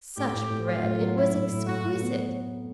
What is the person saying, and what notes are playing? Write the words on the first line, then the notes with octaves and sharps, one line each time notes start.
Such bread, it was exquisite!
A2 G4
A2
A2
F#3 F4
A2
F#3
A2 E4
A2
A2
A2 F#4
A2
B3